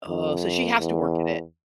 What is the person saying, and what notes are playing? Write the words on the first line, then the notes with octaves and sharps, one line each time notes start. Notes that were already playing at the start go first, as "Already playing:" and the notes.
Oh, so she has to work at it.
F2
E2